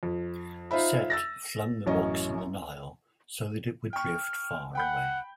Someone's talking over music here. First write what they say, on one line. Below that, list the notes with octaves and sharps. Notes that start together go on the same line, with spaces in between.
Set flung the box in the Nile so that it would drift far away.
F2
D#4 F4 C5 E5 B5
E6 A6 A#6
A1 F#2 C#4 D#5
G5 C#6 F6
F#5 G5 B5 G6